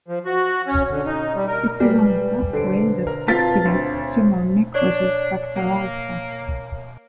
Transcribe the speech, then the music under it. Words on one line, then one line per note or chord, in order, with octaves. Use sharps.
It is on the pathway that activates tumor necrosis factor-alpha.
F3
F#4
C#4
D3
D#4
G3
A#4
G3 G#3 B4
D3 B4 C5 D5
A#4
C4 F4 B4 F5 A5 A6 B6
D2 C5 C#5
D4 C#5
A#3